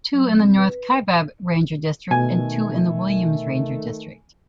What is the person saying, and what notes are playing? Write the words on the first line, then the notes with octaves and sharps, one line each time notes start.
Two in the North Kaibab Ranger District and two in the Williams Ranger District.
F#3
C4
B4
B2 D#3 A3 G#5